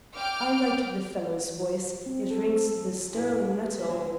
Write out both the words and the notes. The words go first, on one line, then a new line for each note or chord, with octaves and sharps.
I like the fellow's voice, it rings the sterling metal....
G5 D6 F6 D7
C4
A4
A4
F#2 A#2 C4 E4 B4
D4
B3 C4
A#3 E5
D3 E3 A#3 D#4